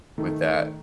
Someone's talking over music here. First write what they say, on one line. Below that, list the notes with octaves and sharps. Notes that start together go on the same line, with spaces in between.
with that.
D#3 A3